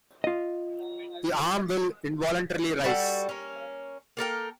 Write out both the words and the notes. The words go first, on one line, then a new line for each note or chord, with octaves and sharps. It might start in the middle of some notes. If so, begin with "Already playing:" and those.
The arm will involuntarily rise.
F4 D#5
G3 F#4 A4
A#3 C#4
A#3 A4 A#4 G5